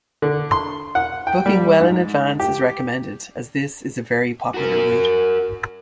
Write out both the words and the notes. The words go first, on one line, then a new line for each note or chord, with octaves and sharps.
Booking well in advance is recommended, as this is a very popular route.
D3
C6
F#5
G5
G3
G#2
G4
F#4 A#4